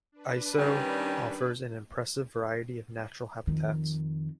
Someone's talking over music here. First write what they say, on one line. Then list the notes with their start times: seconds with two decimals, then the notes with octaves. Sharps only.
Aiseau offers an impressive variety of natural habitats.
0.12 D4 B4
0.58 D#3 G3 C#4
3.47 F2 D#3